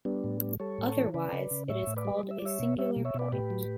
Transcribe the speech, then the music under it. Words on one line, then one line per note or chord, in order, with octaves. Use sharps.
Otherwise it is called a singular point.
G3 B3 D4
A2
G3
G3 A4 C#5
A2
E3
C#3 B4 D5
C#3
C#3
A2 C#5 E5
A2
B4 D5
G3
G3
E5
D5
G3 C#5 E5
B2
G3 C#5 E5
B2
C#5 E5
B2 B4 D5
A2 G4 B4
F#3